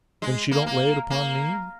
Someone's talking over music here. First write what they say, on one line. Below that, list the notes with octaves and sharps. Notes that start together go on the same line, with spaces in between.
Then she don't lay it upon me?
G#3
A#3
A#3
A#3